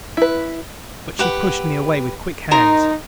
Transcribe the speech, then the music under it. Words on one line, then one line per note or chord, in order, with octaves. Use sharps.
But she pushed me away with quick hands.
E4 B4
G4 B4 F#5
D#4 A#4 A#5 C6